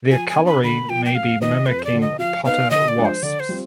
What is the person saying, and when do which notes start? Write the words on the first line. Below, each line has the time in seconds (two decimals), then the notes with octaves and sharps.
Their coloring may be mimicking potter wasps.
0.11 F3 G#5
0.29 G#5
0.38 B3 D4
0.46 B5
0.63 D3 B5
0.89 F3 B3 F4 G5
1.06 G5
1.15 F2 F5
1.41 D#3 B3 F4 B4 D#5
1.66 F2 B4
1.79 C5
1.85 D5
1.93 D3 F3
2.01 D#5
2.19 F3 F5
2.45 B3 D#4 B4 F5
2.71 D3 D#5
2.88 D5
2.97 F3 G#3 D4 G#4
3.05 C5
3.22 D3 D5
3.40 C5
3.49 G3 C4 F4